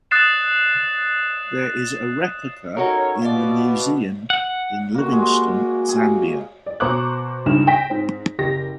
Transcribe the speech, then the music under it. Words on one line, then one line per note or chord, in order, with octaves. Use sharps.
There is a replica in the Museum in Livingstone, Zambia.
D#6 F#6 A6 C7 E7
C#4 D#4 F#4 A4 A#4 C#5
B2 F4 D5
F#5
A#3 F#4
G#3
G#4
D5
B2 C5 A#5 C#6 D6 F#6
C#2 G2 D#4 F6 E7
G5 A#6 B6
G#2 C4
F#1 G4 A#6